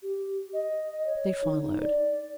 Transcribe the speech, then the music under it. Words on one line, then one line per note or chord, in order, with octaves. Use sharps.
They followed.
G4
D#5
C#5
D#4
D5